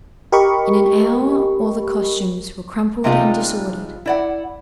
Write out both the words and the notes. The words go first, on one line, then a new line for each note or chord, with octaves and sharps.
In an hour, all the costumes were crumpled and disordered.
G4 A#4 D#5 B5 C#6
C3 G3 G#3 D#4 F4
E4 D5 F#5